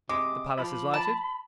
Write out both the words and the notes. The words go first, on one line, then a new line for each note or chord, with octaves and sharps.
The palace is lighted.
C3 G#3 D6
F3 B5
A5